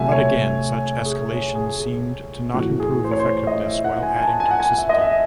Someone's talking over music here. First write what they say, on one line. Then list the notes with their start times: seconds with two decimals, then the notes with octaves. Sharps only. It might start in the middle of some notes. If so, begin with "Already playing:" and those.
But again, such escalation seemed to not improve effectiveness while adding toxicity.
Already playing: C3 F#3 A3 E5 G#5
0.12 C#5
1.05 G#4
1.31 C#5
1.55 G#4
1.80 G#4
2.54 A2 F#4
2.57 E3 A3
2.80 G#4
3.04 C5
3.11 C#5
3.19 C5
3.37 C#5
3.47 D#5
3.67 E5
3.84 F#5
4.03 G#5
4.16 G#5
4.22 A5
4.40 G#5
4.51 F#5
4.60 G#5
4.78 E5
4.89 D#5
5.01 E5